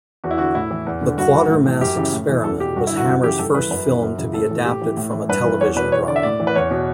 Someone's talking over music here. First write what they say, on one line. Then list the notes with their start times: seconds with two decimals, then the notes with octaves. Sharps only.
"The Quatermass Xperiment" was Hammer's first film to be adapted from a television drama.
0.24 E2 F#4
0.31 E4
0.38 D3 F#4
0.55 A2 E4
0.71 E3
0.86 E2
1.03 D3
1.17 G2 F#4
1.34 E3
1.50 A2
1.66 E3
1.81 F#2 G4
1.97 C#3 E3
2.13 A2
2.29 E3
2.44 E2 A4
2.60 B2 G4
2.76 G2 F#4
2.87 E4
2.91 D3
2.97 F#4
3.08 F#2 F#4
3.23 C#3 E3 G4
3.39 G2 A4
3.55 E3 B4
3.71 F#2 B4
3.86 C#3 E3
4.02 F#2
4.18 C#3 E3
4.34 A2 A4
4.51 E3
4.65 A2 G4
4.82 E3
4.97 A2
5.13 E3
5.29 G2 B4
5.44 E3
5.61 E2 C#5
5.76 B2 B4
5.92 E2 C#5
6.08 D3 D5
6.16 E5
6.23 A2 D5
6.40 E3
6.47 B4
6.55 E2 C#5
6.71 B2